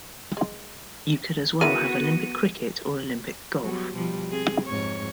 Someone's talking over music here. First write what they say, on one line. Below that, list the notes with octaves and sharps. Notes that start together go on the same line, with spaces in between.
You could as well have Olympic cricket or Olympic golf.
G#3
B3 E4 F#4 G#4 A#4 D#7
F#3 G3 B3
B2 F3 G3
C4 G#4
F2 G#2 C#5